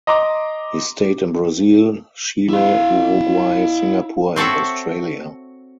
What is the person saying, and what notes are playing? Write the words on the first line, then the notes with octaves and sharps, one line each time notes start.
He stayed in Brazil, Chile, Uruguay, Singapore and Australia.
D#5 A#5 C6 D6
E4 F5
C4 F#4 A4 C#5 E5